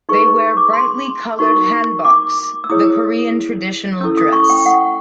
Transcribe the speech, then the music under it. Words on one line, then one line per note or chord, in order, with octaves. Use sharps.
They wear brightly coloured hanboks, the Korean traditional dress.
D#4 G#4 B4 C#6
D6
C6
D#4 F#4 A#4 C#6
D6
E6
E4 G#4 C#5 D#6
C#4 E4 A4 E6
D#6
C#6
G5
F#5